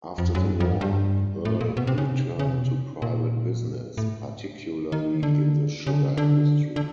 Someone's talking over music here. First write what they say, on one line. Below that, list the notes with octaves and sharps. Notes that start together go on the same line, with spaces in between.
After the war, Earle returned to private business, particularly in the sugar industry.
F2
F#2
G2
F#2
F2
G2
G2
A2
A#2
B2
C3
C#3
C3
C#3
C3
B2
C3
A#2
A2
D#3
D3
C#3
D3
C#3
D3
D3